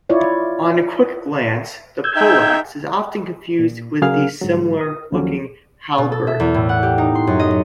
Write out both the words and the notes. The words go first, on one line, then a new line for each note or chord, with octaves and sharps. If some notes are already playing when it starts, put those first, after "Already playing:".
On quick glance, the pollaxe is often confused with the similar-looking halberd.
E4 F4 C#5 D5
E6 G6 G#6
D#4 E5 G5
A#2
C#3 F#3 G#4 A#4 F5 F6
G#2 D3 F#3
D#6
D#2 F3 F#3 C#4
B2
A4
E5
E2
A2
F#5
G4
D#4
C6
F#2
D#5